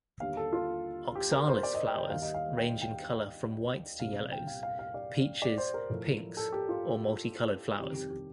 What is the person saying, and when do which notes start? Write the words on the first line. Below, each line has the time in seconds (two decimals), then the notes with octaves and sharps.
Oxalis flowers range in colour from whites to yellows, peaches, pinks, or multi-coloured flowers.
0.20 D#2 D3 G3 F5
0.37 A4
0.53 F4
1.15 G4
1.32 A#4
1.47 C5
1.63 D5
1.74 D#5
1.87 G5
1.98 G5
2.10 D#2 D#3 G3 F5
2.22 D#5
2.34 F5
2.57 G5
2.82 G5
4.00 C2 A#2 G3 F5
4.32 G5
4.47 F5
4.63 F5
4.79 F5
4.94 D5
5.42 D5
5.58 C5
5.74 A#4
5.90 A2 F3 A3
6.37 A4
6.52 G4
6.69 F4
7.79 F2 C3 D#3 G3 G4
7.95 G4
8.11 G4